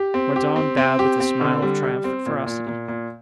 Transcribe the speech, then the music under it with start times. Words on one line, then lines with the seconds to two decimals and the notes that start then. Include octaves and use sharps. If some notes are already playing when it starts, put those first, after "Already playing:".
Mordaunt bowed with a smile of triumphant ferocity.
Already playing: G4
0.14 C4
0.36 G4
0.56 C4
0.77 C4
0.99 G4
1.20 C4
1.41 D3
1.62 G3
1.83 G3
2.04 C4
2.26 A#2
2.46 A#2
2.67 A#2
2.88 A#2